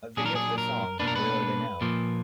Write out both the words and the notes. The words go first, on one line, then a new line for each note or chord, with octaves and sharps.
A video for the song Where Are they Now?
A#2 F#3 D4 G#4
A#4
G#4
A#4
B2 A#3 D4 B4
A#4
B4
A#2 F3 A#3